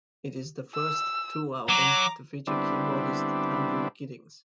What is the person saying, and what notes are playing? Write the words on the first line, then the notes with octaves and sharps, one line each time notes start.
It is the first Tull album to feature keyboardist Andrew Giddings.
E6
F#3 A#5 D6
D3 G3 B3 C4 D4 E4